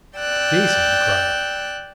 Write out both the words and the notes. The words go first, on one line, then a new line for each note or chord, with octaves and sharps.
"Jason!" he cried out.
D5 G5 E6 F#6